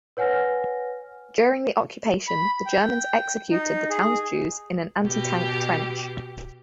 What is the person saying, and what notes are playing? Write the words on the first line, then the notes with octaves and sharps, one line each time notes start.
During the occupation, the Germans executed the town's Jews in an anti-tank trench.
B4 C#5 F#5 G#5 F6 A#6
B5
G5
D#4
G#4
B2 G4